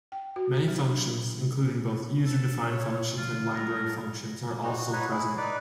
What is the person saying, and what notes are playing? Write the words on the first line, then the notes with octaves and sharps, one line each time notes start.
Many functions, including both user-defined functions and library functions are also present.
G5
F#4
F#3
D4
A4
C#5
D3 F4
F#3 G#3 A4 A#4
A#3
G3 G#3 D#4 F#4
F#4
D#4 F#4 B4 C#5
E4 G#4
D#4 B4 D5